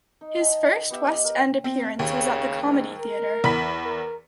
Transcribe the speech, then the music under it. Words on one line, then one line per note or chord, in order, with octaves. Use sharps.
His first West End appearance was at the Comedy Theatre.
D#4
G5 A5
F#5
B3 G4 E5
D#5
A#4
C4
D#2 C#3
G#2
A#4
E2 B5 B6
A#4